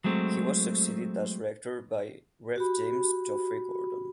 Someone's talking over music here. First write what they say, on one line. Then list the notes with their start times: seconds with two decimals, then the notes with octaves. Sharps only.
He was succeeded as Rector by Rev James Geoffrey Gordon.
0.04 F#3 G#3 A3 C4
2.56 F#4 G4 B5